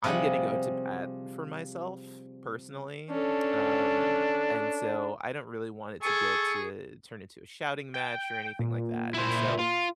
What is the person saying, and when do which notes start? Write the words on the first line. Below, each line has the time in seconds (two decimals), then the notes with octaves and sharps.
I'm gonna go to bat for myself personally, um, and so I don't really want it to get to turn into a shouting match, or anything like that, and, so,
0.04 C3 F3 G3 G#4 F#5
3.10 C#4 D4 A4
6.02 G#4 A4 C#6
7.94 G5
8.59 A#2
9.14 E4 C5
9.59 F4